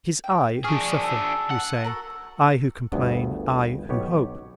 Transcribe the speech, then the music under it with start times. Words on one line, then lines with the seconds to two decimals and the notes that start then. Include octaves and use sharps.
It is I who suffer, we say, I who complain, I who hope.
0.24 G5
0.64 D4 G#4 C#6 D#6 F6
1.00 F#4 A4
1.51 F#5
1.84 F#4 A4 A#4
2.92 G1 D2 G2 B3 G#4
3.89 B1 B3 G4 C#5